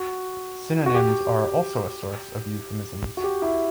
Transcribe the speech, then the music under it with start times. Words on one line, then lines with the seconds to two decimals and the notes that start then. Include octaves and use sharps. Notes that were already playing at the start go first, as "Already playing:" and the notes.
Synonyms are also a source of euphemisms.
Already playing: F#4
0.86 F#4
0.95 G4
3.17 F#4
3.24 G4
3.42 E4